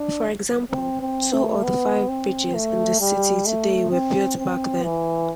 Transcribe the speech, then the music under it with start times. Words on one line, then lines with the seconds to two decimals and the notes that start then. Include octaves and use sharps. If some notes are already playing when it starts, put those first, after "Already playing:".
For example, two of the five bridges in the city today were built back then.
Already playing: D4
0.71 C4
1.02 C4
1.33 A3
1.63 B3
2.08 C4
2.54 A3
3.01 G3
3.46 A3
3.91 C4
4.38 C4
4.83 E3